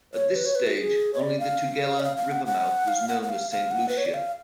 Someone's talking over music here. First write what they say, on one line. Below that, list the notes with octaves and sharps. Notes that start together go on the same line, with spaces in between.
At this stage, only the Tugela River mouth was known as Saint Lucia.
C#5
B4
C#5
B4
F#4
G#4
C#5
D5
F5
D5
F5
F5
F#5
F#5
F5
F#5
F#5
F5
F5
F#5
B4
C#5
D5
F5